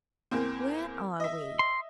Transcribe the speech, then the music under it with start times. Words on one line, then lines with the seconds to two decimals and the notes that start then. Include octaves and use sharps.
'Where are we?
0.31 E2 A#3 C4
1.20 D#5 E5
1.59 C6